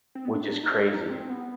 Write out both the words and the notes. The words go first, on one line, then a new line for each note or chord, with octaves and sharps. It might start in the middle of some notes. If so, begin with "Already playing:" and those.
which is crazy.
C4
B3
D4
D#4
D4
D#4
D4
D#4
D4
C4
C4
B3